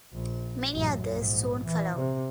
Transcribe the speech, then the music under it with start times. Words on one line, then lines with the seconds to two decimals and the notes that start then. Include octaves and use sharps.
Many others soon followed.
0.13 A#1
0.72 A1 F#2
1.12 A#1 G#2
1.66 E3
1.96 C3